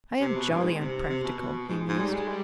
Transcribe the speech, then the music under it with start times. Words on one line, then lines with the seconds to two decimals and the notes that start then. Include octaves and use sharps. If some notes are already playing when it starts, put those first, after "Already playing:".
"I am jolly unpractical," he mused.
0.21 C3
0.35 B2
0.50 G2
0.60 G#2
0.80 C3
1.10 C3
1.24 B2
1.39 B2
1.69 G#2
1.89 G#2
1.98 G3
2.13 G#3
2.28 G3